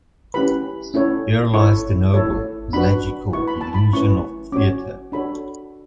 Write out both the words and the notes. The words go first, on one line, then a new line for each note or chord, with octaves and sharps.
Here lies the noble, magical illusion of theater.
C#4 E4 G4 B4 B5
C#4 E4 A4 C#5
E4 A4 C#5 C#6
E4 A4 C#5
D4 F#4 B4 B5
E4 B4 C#6
B5
A5
B5
C#4 E4 B4 C#6
C#4 F#4 C#5 D6
D4 F#4 A4 C#5 B5